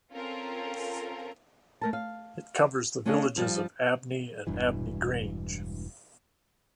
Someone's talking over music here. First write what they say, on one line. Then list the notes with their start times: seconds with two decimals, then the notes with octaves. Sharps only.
It covers the villages of Abney and Abney Grange.
0.14 C4 C#4 F4 A4 A#4
1.81 A3 A#4 A5
1.93 F5
3.06 A3 C#4 D4 A4 D#5 F5
3.36 G2 F3 G3
4.47 E1 G2 E3